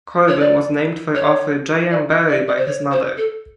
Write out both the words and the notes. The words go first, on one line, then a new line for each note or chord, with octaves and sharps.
Corbin was named for author J. M. Barrie by his mother.
C#5
D5
C#5
D5
D#5
D5
D5
C5
C#5
C5
A4